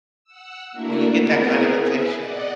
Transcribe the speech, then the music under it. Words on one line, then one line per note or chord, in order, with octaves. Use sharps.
when you get that kind of attention,
F#5 E6
A3 A#3 D4 E4 F#4 A#4
B3 C4 E4 G#4 A#4
G#4 B4 E5
D5 D#5 F#5